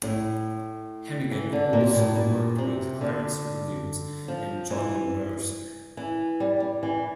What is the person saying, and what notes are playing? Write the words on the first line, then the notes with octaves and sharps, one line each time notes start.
Hanighen also worked with Clarence Williams and Johnny Mercer.
A2
E3
D3
A#2
A#2
A2
A#2
C3
D3
F3
E3
E3
G3
G3
E3